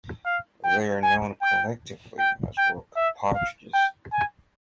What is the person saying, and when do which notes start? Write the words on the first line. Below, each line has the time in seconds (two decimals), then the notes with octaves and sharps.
They are known collectively as rock partridges.
0.25 F5
0.64 G5
1.03 G#5
1.41 G5
2.19 G5
2.57 G5
2.96 E5
3.35 F5
3.74 G5
4.12 G#5